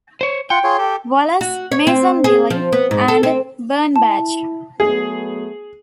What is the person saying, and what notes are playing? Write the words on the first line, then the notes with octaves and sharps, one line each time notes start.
Wallace, Mason Wiley, and Birnbach.
C5 C#5
F4 F#5 G5
F4 G#4 C#5
G4 A4
F#4
C#5
C4
G#4
F3
B3
G#2
A4
C4
E4 A5
F#3 A3 B3 G#4